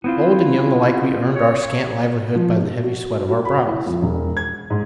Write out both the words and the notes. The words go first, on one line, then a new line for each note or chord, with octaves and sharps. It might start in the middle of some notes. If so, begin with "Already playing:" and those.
Old and young alike we earned our scant livelihood by the heavy sweat of our brows.
B3 C4 E4 F4
C#5
F3
B2
F#4
F#4
B5
E4
F2
E1
G#6
G#2